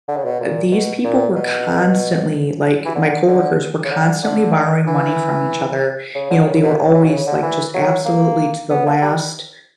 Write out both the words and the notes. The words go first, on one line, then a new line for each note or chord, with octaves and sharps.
uh, these people were constantly like, my coworkers were constantly borrowing money from each other. You know, they were always, like, just absolutely to the last,
D3
C#3
B2
A#2
B2
A#2
B2
E3
D3
D3
C#3
D3
D3
E3
C#3
D3
C#3
B2
C#3
E3
B2
C#3
D3
E3
F#3
A#3
B3
A#3
G3